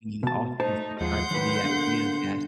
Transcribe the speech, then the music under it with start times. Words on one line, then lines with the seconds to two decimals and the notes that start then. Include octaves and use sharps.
we often subscribe to the idea that,
0.23 B2 A5
0.60 A3 D#4 C5 A5
1.00 D#2 F3 G#3 F#5 C6 G6
1.31 F#2 D#3 B4
1.63 B2 D3 A#3